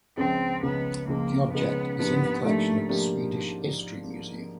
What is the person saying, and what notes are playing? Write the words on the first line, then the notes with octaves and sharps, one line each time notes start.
The object is in the collection of the Swedish History Museum.
C#2 C#3 F3 G#3 C4 C#4
C#2 C#3 F3 G#3 B3 C#4
C#2 C#3 F3 G#3 A#3 C#4
C#2 C#3 F3 G#3 B3 C#4
G#2 F3 A#3 B3 D4 G4
G#2 F3 A3 A#3 D4 G4
F3 A#3 D4 G4